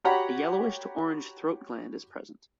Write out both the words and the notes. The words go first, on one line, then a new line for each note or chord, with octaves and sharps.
A yellowish to orange throat gland is present.
F#4 G4 C#5 F#5 A#5 B5